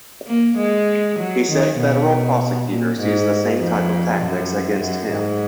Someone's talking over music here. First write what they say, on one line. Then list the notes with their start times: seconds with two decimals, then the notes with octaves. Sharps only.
He said federal prosecutors used the same type of tactics against him.
0.26 A#3
0.57 G#3
1.18 F#3
1.49 D#3
1.78 B2
2.69 A#2
3.00 G#2
3.60 F2
4.21 F#2
4.81 F#2
5.11 G#2